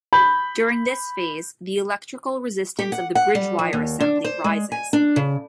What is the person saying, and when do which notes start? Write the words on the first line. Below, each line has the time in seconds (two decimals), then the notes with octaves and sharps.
During this phase the electrical resistance of the bridgewire assembly rises.
0.13 B5 G6
2.79 G4
2.92 F#5
3.15 F#5
3.35 G3
3.59 F3
3.73 D#2
4.00 D4
4.24 C5
4.44 G#3
4.72 G#5
4.93 D4
5.16 C#3